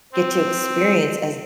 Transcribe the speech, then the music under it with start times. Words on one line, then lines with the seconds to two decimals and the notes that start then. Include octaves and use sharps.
get to experience as
0.13 C4